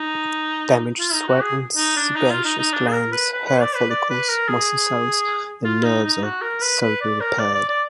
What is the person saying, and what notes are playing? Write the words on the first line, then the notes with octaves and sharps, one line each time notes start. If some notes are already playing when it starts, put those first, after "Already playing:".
Damaged sweat and sebaceous glands, hair follicles, muscle cells, and nerves are seldom repaired.
Already playing: D#4
F4
D#4
F#4
G#4
D#4
D4
D#4
F4
D#4
D#4
D4
G#4
A#4
B4
B4
B4
D5
B4
D5
B4
A#4
G#4
F4
D#4
D#4
F#4
A#4
B4
B4
D5
A#4
D5
D5
D5